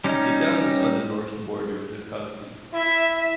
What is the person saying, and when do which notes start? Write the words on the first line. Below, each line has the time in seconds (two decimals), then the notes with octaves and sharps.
The town is on the north border of the county.
0.04 G3 C#4 D#4
2.74 E4 E5